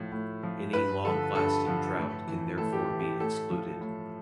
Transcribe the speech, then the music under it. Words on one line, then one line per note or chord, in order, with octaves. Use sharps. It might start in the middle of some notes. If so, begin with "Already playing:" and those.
Any long-lasting drought can therefore be excluded.
Already playing: A2 F3
A2
F3
G2 B4
D3 F3 A4
G2 A4
D3 F3
A2
E3
A2 A4
G4
E3
G4
A2 A4
F3
A2